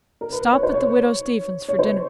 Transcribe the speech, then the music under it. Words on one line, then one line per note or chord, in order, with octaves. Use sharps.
Stop at the Widow Steavens's for dinner.
A#4
B4
C#5
C5
C#5
C#5
C5